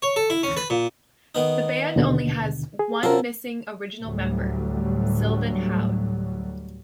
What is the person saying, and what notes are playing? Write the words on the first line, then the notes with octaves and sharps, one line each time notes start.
The band only has one missing original member, Sylvain Houde.
C#5
A4
E4
C#4
B4
A#2
D#3 B3 D#4
D#2 B2 D3
G#4
C3 F#3 F4 A4 A#4
D2 A2 F#3 G3